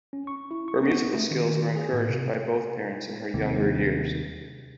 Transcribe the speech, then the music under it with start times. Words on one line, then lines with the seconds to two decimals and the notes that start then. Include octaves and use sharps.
Her musical skills were encouraged by both parents in her younger years.
0.13 C#4
0.27 C#6
0.51 E4
0.68 C#6
0.86 B3
1.14 A3
1.31 D#3
1.45 D#3
1.76 G#4
1.93 A2
2.09 C3
3.34 D#2 C3 A#3